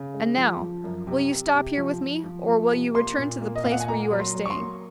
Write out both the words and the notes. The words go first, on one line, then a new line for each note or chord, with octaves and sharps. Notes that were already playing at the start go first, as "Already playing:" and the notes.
And now, will you stop here with me, or will you return to the place where you are staying?
Already playing: C#3
G#3
F3
F3
F#2
C3
C3
C3
F3
F3
F3
F3
C3
A#3 C6
A#2
A#3
D#5
A#2 F5
F#5
G#5
A#3 A#5
F#3
C6
F#3
C#6
C6
A#3